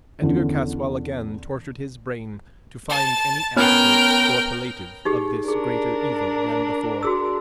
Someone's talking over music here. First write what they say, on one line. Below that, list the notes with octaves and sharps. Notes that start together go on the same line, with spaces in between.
Edgar Caswall again tortured his brain to find any antidote or palliative of this greater evil than before.
E2 D3 C#4
A5
B3 C#4 A#4 G5 F6
D#4 G4 G#4
D4 G#4 A#4
F#4 G#4 E6